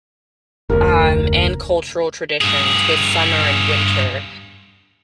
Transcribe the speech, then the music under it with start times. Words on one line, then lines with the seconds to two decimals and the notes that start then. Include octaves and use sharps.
um, and cultural traditions with summer and winter.
0.70 F1 D2 A#4
2.41 G2 G#4